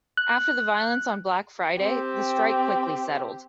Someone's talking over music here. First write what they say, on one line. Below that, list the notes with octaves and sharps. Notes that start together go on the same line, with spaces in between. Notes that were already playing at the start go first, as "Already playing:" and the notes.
After the violence on Black Friday, the strike quickly settled.
F#6
C4 G4